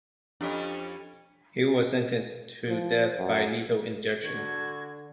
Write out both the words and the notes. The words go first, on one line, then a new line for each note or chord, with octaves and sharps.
Hill was sentenced to death by lethal injection.
F2 C#4 D4 G4 D#5
F3
F#2
D3 F#4 C#6 G#6